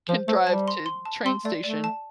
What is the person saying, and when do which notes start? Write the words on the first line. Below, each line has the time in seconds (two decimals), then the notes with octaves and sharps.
can drive to the train station
0.09 F3 C5
0.28 A3 C5
0.47 G3 A5
0.68 C6
0.86 C6
1.05 A5
1.25 C4 C6
1.45 A3 D5
1.64 A3 D5
1.84 A5